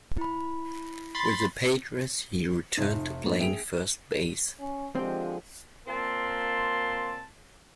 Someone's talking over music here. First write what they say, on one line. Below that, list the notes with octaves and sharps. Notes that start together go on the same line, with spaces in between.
With the Padres, he returned to playing first base.
E4 B5
B5 C6 A6
F1 D#4 E5
G#2 G3 A#3 B3 D4 A4
G#4 E5 G5 D7 F7
C#4
D3 F3 G#3 C4 G4
A#2 A#3 C4 A5 C6